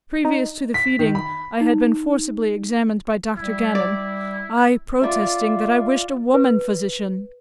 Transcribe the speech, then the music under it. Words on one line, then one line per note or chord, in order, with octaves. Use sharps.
Previous to the feeding I had been forcibly examined by Dr. Gannon, I protesting that I wished a woman physician.
D#4
B6
D#3
B5
D#4
G3 E4
D5
F4 D5 E5
B4